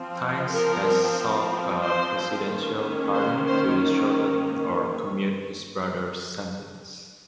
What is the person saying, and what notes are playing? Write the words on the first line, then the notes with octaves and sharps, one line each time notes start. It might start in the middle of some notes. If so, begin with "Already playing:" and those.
Tynes has sought a presidential pardon to shorten or commute his brother's sentence.
Already playing: F3 C4
A#4
C5
D#3 A#3 C#4
C5
C5